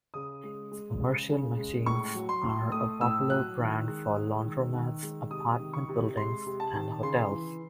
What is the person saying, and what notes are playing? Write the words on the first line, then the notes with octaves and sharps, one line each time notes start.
Its commercial machines are a popular brand for laundromats, apartment buildings, and hotels.
C#3 D#6
G#3
G#3
C#3
C#3
G#3
A2 C#6
F#3
C6
A2
A3 D#6
A2 E6
F#3 F#6
D#3
G#3
G#3
D#3
D#3
G#3
C3 D#6
D#3
C#6
C3
G#3 C6
C3
A5
D#3
C#3 C6
E3